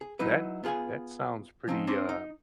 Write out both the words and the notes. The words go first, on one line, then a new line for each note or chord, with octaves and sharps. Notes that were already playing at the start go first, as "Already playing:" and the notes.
that that sounds pretty, uh
G#4
F#3 D#4 E4 B4
B3 F4 G#4 F5 G#5
F3 C4 C#4 D#4
C4 D4 D#4 C5 C#5
D#4